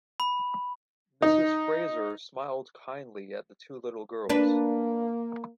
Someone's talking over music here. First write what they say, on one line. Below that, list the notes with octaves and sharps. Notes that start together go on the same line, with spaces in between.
Mrs. Fraser smiled kindly at the two little girls.
B5
D#4
A#3 D4 B4